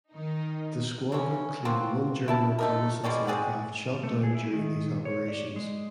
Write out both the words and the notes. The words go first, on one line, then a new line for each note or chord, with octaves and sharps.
The squadron claimed one German reconnaissance aircraft shot down during these operations.
D#3 D#4
C#3 E3 C#4
A#3 C4 F4 F#4
E4 E5 A5
A3 D#4 A#4
B2 G#3 C#4 D5
C4 G#4 D5 F#5
A3
G#4
E4
D#3
C#5
D5
G#3